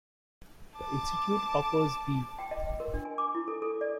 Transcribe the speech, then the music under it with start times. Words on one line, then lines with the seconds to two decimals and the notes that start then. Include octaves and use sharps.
The institute offers B.
0.78 A5 D6
2.39 G5
2.51 D#5
2.80 A#4
2.94 D4
3.05 G#5
3.18 D6
3.35 E4
3.48 A4
3.62 A4
3.81 D5